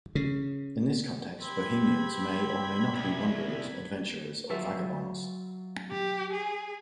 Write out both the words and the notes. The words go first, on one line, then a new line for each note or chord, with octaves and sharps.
In this context, Bohemians may or may not be wanderers, adventurers, or vagabonds.
C#3
C4 G4 B5 G#6
C2
F#3 F4 E5
G4
G#4